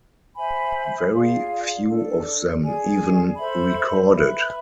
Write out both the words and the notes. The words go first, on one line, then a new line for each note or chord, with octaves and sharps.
Very few of them even recorded.
C5 E5 G#5 B5
F4 G#4 D5 F5
D4 A4 D5
G#4 D5 G#5
A4 C5 E5 B5
B4 E5 B5